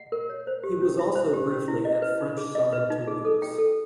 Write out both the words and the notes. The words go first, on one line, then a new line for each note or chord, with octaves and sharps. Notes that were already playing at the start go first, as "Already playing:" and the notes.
He was also briefly at French side Toulouse.
Already playing: F#5
A#4
C#5
C5
G4
C#4
E4
C5
G4
C#4
E4
D#5
B4
D#4
G#4
D#5
B4
D#4
G#4
A4
G5
A4